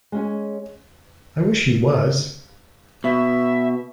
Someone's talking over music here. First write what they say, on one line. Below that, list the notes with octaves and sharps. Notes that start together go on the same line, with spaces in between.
I wish he was!
G#3 C#4 G#5
B2 E5